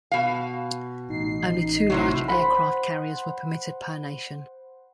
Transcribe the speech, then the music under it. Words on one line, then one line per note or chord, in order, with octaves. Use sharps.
Only two large aircraft carriers were permitted per nation.
B2 F5
A1 D#4 C7
A2 C3 F#3
C5 F#5 B5